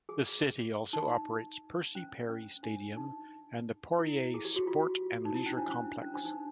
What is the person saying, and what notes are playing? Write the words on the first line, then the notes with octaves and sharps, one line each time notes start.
The city also operates Percy Perry Stadium and the Poirier Sport and Leisure Complex.
G#4
D#4
C#4
C#4
D4
D#4
E4
G#4
G4
F#4
F4
D#4
E4
C#4
D4
C#4
C#4
D4
D#4